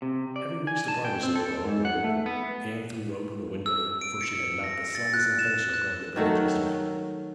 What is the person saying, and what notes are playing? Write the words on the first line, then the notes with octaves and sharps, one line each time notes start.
Having reached the privacy of her own room, Anne threw open the window, for she had not the slightest intention of going to bed just yet.
C3
D5
G#5
A5
G5
C4
A4
G#2
F#5
A3
B3
E6
D7
C#7
A#6
A6
F#6
E7
F#6
D#3 F#3 A3